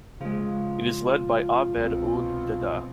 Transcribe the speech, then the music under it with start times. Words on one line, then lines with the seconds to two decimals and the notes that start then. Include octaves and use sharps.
It is led by Ahmed Ould Daddah.
0.21 C#3 F3 G#3 F4
1.76 C2 B2 C4